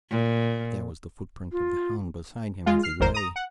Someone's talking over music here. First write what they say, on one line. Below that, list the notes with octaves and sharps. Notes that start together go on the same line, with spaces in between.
There was the footprint of the hound beside him as he lay.
A#2
F4
G#3 F4
F6 C7
G1 E2 A#4 C5
A#5 D#6
F#5